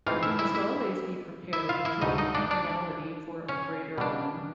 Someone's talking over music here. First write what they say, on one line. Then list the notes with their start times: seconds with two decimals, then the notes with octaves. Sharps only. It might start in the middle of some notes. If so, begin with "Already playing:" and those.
You must always be prepared to leave one reality for a greater one.
0.07 G#2 E3 A3 C4 D#4 F4 F5
0.23 E4 E5
0.39 E4 E5
0.55 E4 E5
1.53 E4 E5
1.69 F4 F5
1.85 E4 E5
2.01 D2 C#3 E3 D#4 D#5
2.18 D#4 D#5
2.35 D4 D5
2.51 D4 D5
3.48 C#4 C#5
3.98 B2 G3 A#3 D4